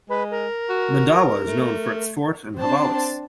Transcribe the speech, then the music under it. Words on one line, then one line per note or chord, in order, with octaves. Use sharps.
Mandawa is known for its fort and havelis.
G#3 B4
A#4
F#4
A3
C4 D4 C5 A5